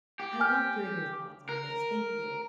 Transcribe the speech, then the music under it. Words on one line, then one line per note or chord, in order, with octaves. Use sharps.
I loved hearing your thoughts on this. Thank you.
G4
G#5 F6
A#4